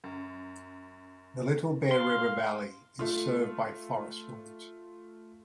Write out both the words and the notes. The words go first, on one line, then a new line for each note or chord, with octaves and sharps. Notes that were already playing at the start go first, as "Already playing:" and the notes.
The Little Bear River valley is served by forest roads.
F#2
F5 C6
A3 F4